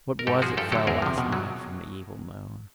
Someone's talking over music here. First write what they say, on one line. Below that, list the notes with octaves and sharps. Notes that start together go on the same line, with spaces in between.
What was it fell last night from the evil moon?
A#4
G#2 G4 A4
F3 F#4 G#4
G2 G4 A4
D3 F#3 G4 A4
E2 G#4 A#4
C3 F3
B2
F#3